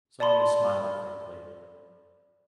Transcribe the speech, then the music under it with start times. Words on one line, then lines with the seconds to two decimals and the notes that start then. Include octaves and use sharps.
Sonia smiled faintly.
0.20 D5 A5 B5 C6